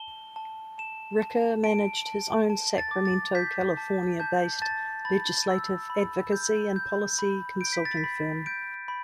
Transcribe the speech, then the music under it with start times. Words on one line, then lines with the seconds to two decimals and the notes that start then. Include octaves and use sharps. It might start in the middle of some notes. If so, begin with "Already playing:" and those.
Ricker managed his own Sacramento, California based legislative advocacy and policy consulting firm.
Already playing: A5 G7
0.36 A5
0.78 A5 E7
1.21 A5
1.64 A5 D7
2.06 A5
2.50 A5
2.78 A6
2.91 D6
3.05 A6
3.35 G6 B6
3.77 A5
4.20 A5 G6
4.62 A5 A6
5.05 B5 A6
5.48 E6
5.90 B5
6.32 G6
6.76 G6
7.19 B5
7.61 G6 D7
7.73 B6
7.85 A6
7.97 B6
8.04 B5
8.46 G6 D7
8.88 B5